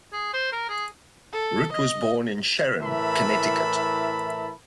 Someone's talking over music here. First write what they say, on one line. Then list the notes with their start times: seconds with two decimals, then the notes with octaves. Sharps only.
Rudd was born in Sharon, Connecticut.
0.13 G#4
0.33 C5
0.52 A#4
0.69 G#4
1.32 A4
1.72 D#5
2.81 A2 E3 A#4 E5 A5 B5